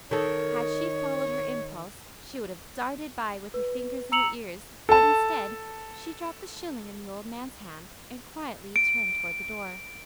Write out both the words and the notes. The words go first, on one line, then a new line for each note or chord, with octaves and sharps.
Had she followed her impulse, she would have darted by with her fingers in her ears, but instead, she dropped the shilling in the old man's hand, and quietly turned toward the door.
D#3 A4 C#5
B4
A#5 E6 C#7 F7 F#7
A4 A5
D7